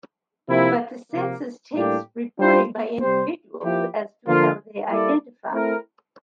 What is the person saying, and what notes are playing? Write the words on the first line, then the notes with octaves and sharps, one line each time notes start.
But, the Census takes reporting by individuals as to how they identify.
C3 F3 A#3 E4
C3 F3 A#3
A2 G3 A#3 D4 G4
G3 D4 F4 C5
C3 G3 C4 G4 C5
F3 A#3 E4 G4
D3 F3 A#3 F4
G3 A#3 E4 A4 D5
A3 C4 E4 A#4